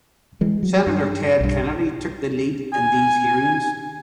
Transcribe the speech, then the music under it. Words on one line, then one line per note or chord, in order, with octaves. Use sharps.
Senator Ted Kennedy took the lead in these hearings.
E3 G#3
F#3
G2
B1 G2
G#5